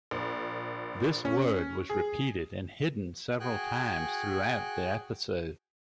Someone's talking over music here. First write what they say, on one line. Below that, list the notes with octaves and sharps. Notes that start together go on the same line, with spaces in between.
This word was repeated and hidden several times throughout the episode.
A#1
C#4
G#4
F#4 G#4 G5 G#5 F#6